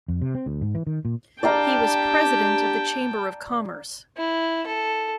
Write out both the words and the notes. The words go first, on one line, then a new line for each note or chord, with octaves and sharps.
He was president of the Chamber of Commerce.
F2
C3
C4
D2
G#2
E3
D#3
A#2
D4 G4 D5 F5 G5 A5 A#5
E4
A4